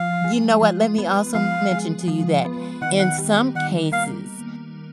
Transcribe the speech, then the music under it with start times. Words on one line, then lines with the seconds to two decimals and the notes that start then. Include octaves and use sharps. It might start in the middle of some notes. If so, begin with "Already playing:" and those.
you know what, let me also mention to you that in some cases,
Already playing: F3 F5
0.24 G#3
0.61 F3
0.98 B3
1.34 F3 F5
1.72 G#3
2.08 F3
2.45 B3
2.82 D#3 F#5
2.99 F#5
3.18 G3
3.55 D#3 F#5
3.92 A#3 F5